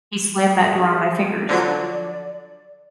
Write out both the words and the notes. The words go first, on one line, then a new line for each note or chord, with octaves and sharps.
he slammed that door on my fingers,
G#4
D3 F3 F#3 D5